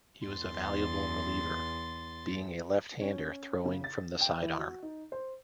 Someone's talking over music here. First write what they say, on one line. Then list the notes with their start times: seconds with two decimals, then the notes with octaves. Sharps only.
He was a valuable reliever, being a left-hander throwing from the sidearm.
0.25 E2 C6 A6
3.01 C#4
3.65 C#3
3.84 A6
4.21 G5
4.41 E3
4.58 F#4
4.83 D#4
5.12 C5